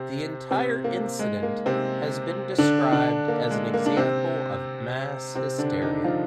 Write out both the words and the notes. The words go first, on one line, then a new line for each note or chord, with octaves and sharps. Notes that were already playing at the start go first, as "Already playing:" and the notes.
The entire incident has been described as an example of mass hysteria.
Already playing: C3 C4
C3 C4
A#3
G#3
A#3
C3 C4
D3 D4
D3 D4
A#3
G#3
A#3
D4
C3 C4
C3 C4
D3 D4
D#3 D#4
F3 F4